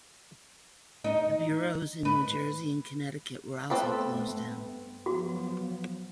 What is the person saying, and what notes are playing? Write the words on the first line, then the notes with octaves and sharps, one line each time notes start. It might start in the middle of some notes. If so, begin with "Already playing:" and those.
The bureaus in New Jersey and Connecticut were also closed down.
D#4
B4
G2 A3 B3 C4 A4 B4
F3 F#3 B3 F#4